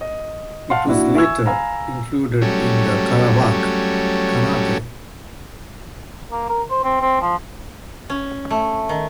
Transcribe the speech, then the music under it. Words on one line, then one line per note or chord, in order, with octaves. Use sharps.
It was later included in the Karabakh Khanate.
D#5
F5 F#5 A5 C6
A#2 D4 E4 F#4
E5 G#5 C#6 E6 G#6
F5 G#5 A#5 B5
F#3 G3 A3 C#4
A#3
A#4
C5
C4
C4
F3
C#4
A3
D#3